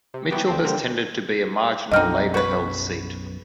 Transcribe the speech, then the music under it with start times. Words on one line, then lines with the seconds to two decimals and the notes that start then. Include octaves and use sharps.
Mitchell has tended to be a marginal Labor-held seat.
0.14 C3
0.31 E3 F#3 B3 G4
0.47 D2 C4
0.65 D3 G3 A#3 C4
1.92 B1 F#2 D3 C4 D#4 D#5 F6
2.34 F#4 B4